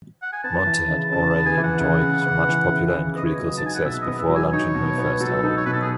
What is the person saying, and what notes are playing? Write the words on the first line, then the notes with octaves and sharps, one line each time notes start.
Monte had already enjoyed much popular and critical success before launching her first album.
F#5
G#5
B3 A5
E3
C#3
C#3 A5
A5
B3
G#5
E3
F#5
C#3
C#3
B3
E3
C#3
C#3
B3 D#5
C#5
F#3 D#5
A5
D#4 G#5
F#5
B2 E5
D#5
B3
E5
F#3
G#5
D#4 C#5
B2
B3
F#3 A4
D#4
C#5
B2 B4
A4
G#4